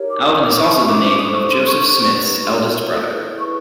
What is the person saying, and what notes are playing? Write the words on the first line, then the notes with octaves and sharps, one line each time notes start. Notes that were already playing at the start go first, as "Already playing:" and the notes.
Alvin is also the name of Joseph Smith's eldest brother.
Already playing: D#4 G4 A#4 C#5
D6
D#6
D6
D6
C#4 E4 G4 C5 C#6
C#6
C#6
D6
C#6
D6
E4 A4 C5 D#6
C#6
C6
C#6
D#4 G4 B4 C#6
F#4 A4 C#5 C6
E4 G#4 B4
C#6